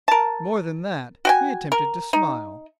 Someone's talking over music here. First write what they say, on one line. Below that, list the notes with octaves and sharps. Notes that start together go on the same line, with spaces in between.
More than that, he attempted to smile.
A#4 A5
F#4 G5 G#5
A#4
D#4